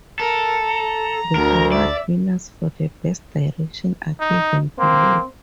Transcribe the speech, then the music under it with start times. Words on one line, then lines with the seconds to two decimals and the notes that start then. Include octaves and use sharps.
The award winners for Best Direction are given below.
0.19 A4 A#4
0.64 A#5
1.36 D2 A#4
1.72 D5 E5
4.20 D#4
4.79 A#3 C4